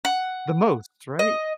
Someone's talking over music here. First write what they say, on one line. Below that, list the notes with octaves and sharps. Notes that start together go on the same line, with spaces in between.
The most, right?
F#5
D#5